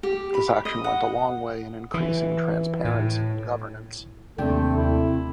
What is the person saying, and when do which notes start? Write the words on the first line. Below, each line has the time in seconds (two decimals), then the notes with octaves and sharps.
This action went a long way in increasing transparency in governance.
0.03 G4
0.34 B5
0.65 D#5
0.84 F#5
1.94 E3
2.85 A2
4.38 D#2 C3 A3 D4 A4 G5
4.77 E4